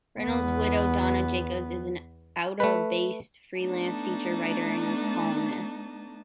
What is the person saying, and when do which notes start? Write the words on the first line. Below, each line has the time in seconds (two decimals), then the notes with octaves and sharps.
Reynolds' widow, Donna Jacobs, is an Ottawa-based freelance feature writer and columnist.
0.20 E2 B3
2.60 A3 B4
3.59 A3 B3 D4 D#4 A5